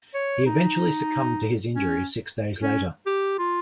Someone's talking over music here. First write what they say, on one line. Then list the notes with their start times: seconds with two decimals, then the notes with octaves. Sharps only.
He eventually succumbed to his injuries six days later.
0.14 C#5
0.46 D#4
1.76 C#4
2.62 C#4
3.06 G4
3.38 F4